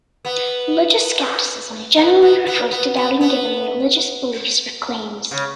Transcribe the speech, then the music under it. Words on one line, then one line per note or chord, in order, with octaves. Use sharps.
Religious skepticism generally refers to doubting given religious beliefs or claims.
B3
B3
B3
B3
B3
B3
B3
C#3